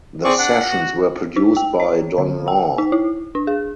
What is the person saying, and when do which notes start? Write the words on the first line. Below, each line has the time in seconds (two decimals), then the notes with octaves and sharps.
The sessions were produced by Don Law.
0.24 C4 G#4 D5 C#6
0.38 D4 F#5
0.70 F#4
1.36 D#4
1.57 G5
1.80 C#5
2.18 D3
2.48 G5
2.78 D#4
2.92 E4
3.35 D4
3.47 G#4